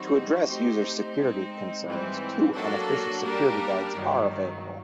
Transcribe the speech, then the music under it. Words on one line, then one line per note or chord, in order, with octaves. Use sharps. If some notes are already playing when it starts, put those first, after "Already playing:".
To address user security concerns, two unofficial security guides are available.
Already playing: E3 G3 C4 D#4 F#4
A3 C4 D#4 G4 C5
G#3 C4 D#4
G#2 E3 G3 C4
F#3 A#3 D4 F#4 A4
G3 A#3 D4 G4 A#4
G2 D#3 F#3